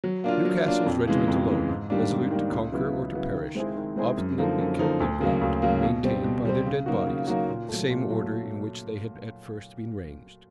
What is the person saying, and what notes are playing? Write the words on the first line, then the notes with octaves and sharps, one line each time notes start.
Newcastle's regiment alone, resolute to conquer or to perish, obstinately kept their ground, and maintained, by their dead bodies, the same order in which they had at first been ranged.
F#3
A#3 D4 F4
F#3
A#3 D4 F4
F2
C#3 E3 G#3
F2
C#3 E3 G#3
G#2
D#3 G3 A#3 D4
G#2
D#3 G3 A#3 D4
C#2
C#3 F#3 B3 E4
C#2
C#3 F#3 B3 E4
D#3
G#3 C4 E4 G#4
D#3
G#3 C4 E4 G#4
F#2
D3 F3 A#3 D#4
F#2
D3 F3 A#3 D#4
D2
C#3 F#3 A#3
D2
C#3 F#3 A#3
B2
G3 C4
B2
G3 C4
C#3
F#3 A#3 D#4 F#4
C#3
F#3 A#3 D#4 F#4
A#2
F#3 A3
A#2
F#3 A3